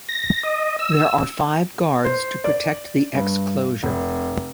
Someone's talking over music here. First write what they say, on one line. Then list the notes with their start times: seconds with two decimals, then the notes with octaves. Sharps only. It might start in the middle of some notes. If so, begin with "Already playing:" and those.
There are five guards to protect the exclosure.
0.09 A#6
0.43 D#5
0.79 E6
2.05 C5
2.44 D5
3.15 G2
3.83 F1